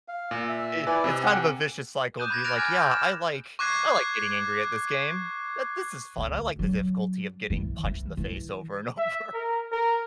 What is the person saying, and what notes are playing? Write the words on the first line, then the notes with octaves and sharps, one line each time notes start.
i it's kind of a vicious cycle to be like, "Yeah. I like I like getting angry at this game. Th this is fun. I like the difficulty of getting punched in the face over and over."
F5
A#2
E5
E4 B4 D5 G#5
C3 D#5
G4 F#5 G#5
D6 D#6 F#6 G6 D#7 E7
B5 G#6 A#6
F6 F#6 A6 A#6 D7 F7
G#5 B5 D6 F6 F#6 G#6
G6
F6 E7
C#6 D6 F#6 G#6 C7
D2
F#3 D4
E3
E3
E3
E5
A#4
A#4